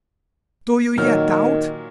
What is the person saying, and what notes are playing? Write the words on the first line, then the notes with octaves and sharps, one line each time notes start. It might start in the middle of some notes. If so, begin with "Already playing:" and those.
"Do you yet doubt?"
A#2 D#3 F#3 F6